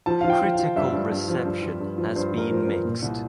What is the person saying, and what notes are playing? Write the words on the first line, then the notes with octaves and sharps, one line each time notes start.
Critical reception has been mixed.
F3 A5
F5
F3
G5
F3
F5
F3
G2 E5
G2
G2
F3
G2
F3
G2
F3
G2 C5
F3
A#4
F3
C5
G2
A#2
C2